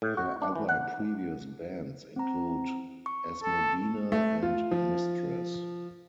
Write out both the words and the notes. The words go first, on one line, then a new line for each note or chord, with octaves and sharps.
Her other previous bands include Asmodina and Mistress.
A2
F#4
D4
E3
F#5
C4 A#5
C#6
A4
A3
F4
F3